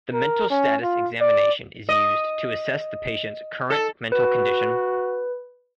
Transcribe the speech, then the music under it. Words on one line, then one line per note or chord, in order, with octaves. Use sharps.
The mental status examination is used to assess the patient's current mental condition.
A#4
C#4
F4
D5
D#5
A4
F#4 B4